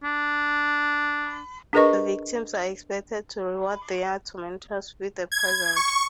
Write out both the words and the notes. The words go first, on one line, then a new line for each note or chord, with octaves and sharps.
The victims are expected to reward their tormentors with a present.
D4
D4 G#4 A#4 B4 D#5 C#6
G#6
C#6